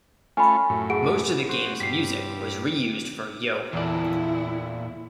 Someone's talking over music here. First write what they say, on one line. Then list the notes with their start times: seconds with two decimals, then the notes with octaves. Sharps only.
Most of the game's music was re-used for Yo!
0.37 A3 C#4 F4 G#5 B5
0.70 F#2 A2
0.90 G#4 F#5 D7
1.49 F#4 C5
1.80 G2 B6 C7
3.73 E2 A#2 E4 A4 D5